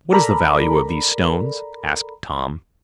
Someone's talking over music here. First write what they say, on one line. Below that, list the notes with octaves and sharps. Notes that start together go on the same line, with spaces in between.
"What is the value of these stones?" asked Tom.
A4 A#4 D5 A#5 B5